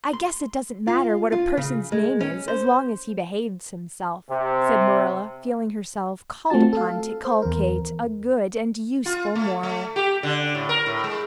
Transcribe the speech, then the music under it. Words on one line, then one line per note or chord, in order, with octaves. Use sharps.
"I guess it doesn't matter what a person's name is as long as he behaves himself," said Marilla, feeling herself called upon to inculcate a good and useful moral.
C6
F4
F4
C#3
G#3
C#4
C5
C3
A3 C4 F4 F#4 A5
A4 F5
C5
E2 A#4
F4
A3
A3
G4
D3
A2
A#4
A2
G#3